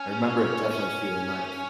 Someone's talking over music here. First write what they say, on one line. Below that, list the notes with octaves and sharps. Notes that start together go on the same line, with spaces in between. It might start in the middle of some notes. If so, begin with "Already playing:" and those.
I remember it definitely feeling like,
Already playing: C#4
C#4